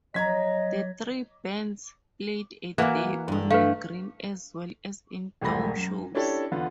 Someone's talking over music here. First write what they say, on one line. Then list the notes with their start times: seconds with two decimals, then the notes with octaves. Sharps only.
The three bands played A Day On The Green as well as indoor shows.
0.14 F#3 D#5 A#5 G#6 B6
2.78 E3 A#3 E4 F#4
3.28 G2 D3
3.50 A3 B4 F5
5.41 E1 C2 G#2 A3 B5 A#6
5.75 F#2
6.15 C#4 D4 E4 G4 A4 C#5
6.51 E2 D3 B3 F4